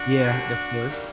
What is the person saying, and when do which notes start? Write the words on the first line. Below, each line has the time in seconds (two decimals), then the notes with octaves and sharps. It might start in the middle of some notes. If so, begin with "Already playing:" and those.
Yeah. Yeah, of course.
Already playing: D4 F#4
0.24 D#2 D3 G3
0.89 D#3 G3 A#3